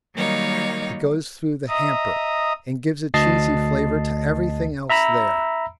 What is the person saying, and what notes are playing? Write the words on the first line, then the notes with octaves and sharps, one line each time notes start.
It goes through the hamper, and gives a cheesy flavour to everything else there.
D#3 F#3 G3 A#3 D#4 C#5
D#5 E5 A#5 D#6
D2 D#5 A5 A6 C7
E5 A#5 B5 E6